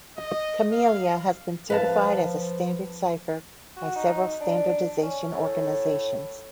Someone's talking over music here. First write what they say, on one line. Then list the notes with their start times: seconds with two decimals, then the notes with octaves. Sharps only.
Camellia has been certified as a standard cipher by several standardization organizations.
0.17 D#5
0.71 F5
1.70 F3 B4 F5 A5
3.77 F#4
3.96 D#4
4.41 D4
5.02 C#4
5.33 A2